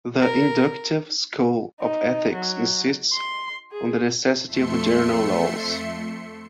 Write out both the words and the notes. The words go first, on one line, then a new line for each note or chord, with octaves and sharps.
The inductive school of ethics insists on the necessity of general laws.
A#4
D#4
F#3
C6
G#4
F2 A3 E5 C6 C#7